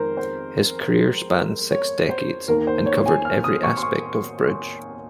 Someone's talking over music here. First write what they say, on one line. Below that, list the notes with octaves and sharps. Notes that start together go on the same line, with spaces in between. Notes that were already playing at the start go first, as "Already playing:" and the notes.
His career spanned six decades and covered every aspect of bridge.
Already playing: F2 D#3 G#3 A#4 C5
C5
C#5
C5
D#2 D#3 A#3 A#4
C5
C#5
G#5
F6
D#6
C#6
C6
C#6